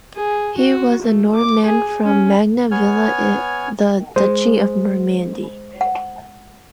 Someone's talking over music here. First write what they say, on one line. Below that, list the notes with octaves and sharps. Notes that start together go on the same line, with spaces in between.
He was a Norman from Magna Villa in the Duchy of Normandy.
G#4
F#4
A3
D6
G#4
C#4
B3 C#5 G#5 F6
G#3 C5
F#5